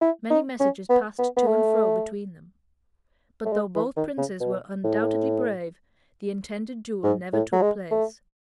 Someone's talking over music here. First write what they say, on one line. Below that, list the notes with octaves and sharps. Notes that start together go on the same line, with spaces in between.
Many messages passed to and fro between them; but though both princes were undoubtedly brave, the intended duel never took place.
E4
D#4
C#4
B3
B3
B3
A3
A3
G#3
E3
D#3
C#3
B2
A2
G#2
A2
F#3
G#3
A3